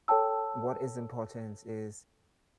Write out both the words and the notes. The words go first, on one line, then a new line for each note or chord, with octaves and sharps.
what is important is
A4 C#5 G5 A5 E6